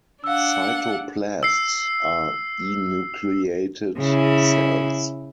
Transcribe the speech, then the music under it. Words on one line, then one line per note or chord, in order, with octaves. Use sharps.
Cytoplasts are enucleated cells.
D4 F5 F#5 E6
E6 C7
C#3 E4